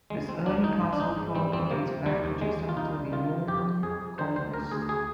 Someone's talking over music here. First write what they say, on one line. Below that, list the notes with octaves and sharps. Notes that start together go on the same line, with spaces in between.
This early castle probably dates back to just after the Norman Conquest.
D2 G#3
D2 C4
D2 D4
G#1 D#4
G#1
D4
G#1 D#4
G#2
G3 C4
F2 C4
C3 A#3
C3
D#2 G3
D#2
D#2 G#3
D#2
F4
C2 D#4
G3
D#3 F4
C3
F2 G4
F2
F2 G#4
C3
D3 C5
D2 C5
D2 A#4
D2 G#4
G#4